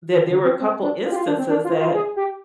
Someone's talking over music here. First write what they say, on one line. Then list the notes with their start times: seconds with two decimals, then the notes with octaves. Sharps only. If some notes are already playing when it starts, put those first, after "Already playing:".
That there were a couple instances that
0.15 D#3
0.30 D3
0.45 C4
0.60 C4
0.82 D4
1.05 F4
1.12 G4
1.16 F4
1.27 D4
1.38 C4
1.49 D4
1.64 F4
1.80 F4
1.94 G#4
2.16 G4